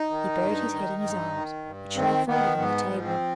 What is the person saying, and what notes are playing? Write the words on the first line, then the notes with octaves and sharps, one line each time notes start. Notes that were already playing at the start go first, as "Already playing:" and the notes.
He buried his head in his arms, which lay folded on the table.
Already playing: D#4
D#3
G2
D#3
G2
D#3
G2
D#3 C4
D#3 B3
G#2 B3
F3
C4